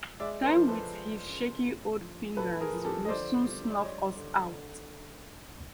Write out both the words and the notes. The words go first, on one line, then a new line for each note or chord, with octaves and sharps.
Time with his shaky old fingers will soon snuff us out.
G#3 D5 E5
A#4 C5
F3
A4 B4
G#3
C#3
A2
F3
A2 A4 B4
G#4 A#4
F3
G4 A4
D#5
D3 C5 D5
G3
D5
G3 C#5 D#5
D3
D3